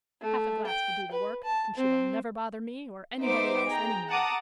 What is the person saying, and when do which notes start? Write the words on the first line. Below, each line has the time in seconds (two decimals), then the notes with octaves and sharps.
"Half a glass will do the work and she will never bother me or anybody else any more."
0.21 A3
0.66 G5
1.11 B4
1.43 A5
1.77 C4
3.22 B3 D#4 C5 E5 D6
3.70 G#4 G5 A#5
4.08 F#5 A5 A#5 D6 D#6